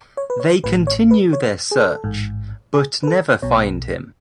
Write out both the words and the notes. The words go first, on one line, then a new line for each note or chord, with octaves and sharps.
They continue their search, but never find him.
C#5
B4
C#5
A1 A2 B4
C#5
B4
C#5
G#4
A4
A1 G#2
G#4
B4
A4
B1 B2 C#5